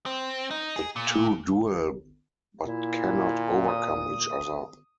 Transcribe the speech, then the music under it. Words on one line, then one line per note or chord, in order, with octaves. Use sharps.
The two duel but cannot overcome each other.
C4
D#4
G#4
A#2
A#2 E4
D#6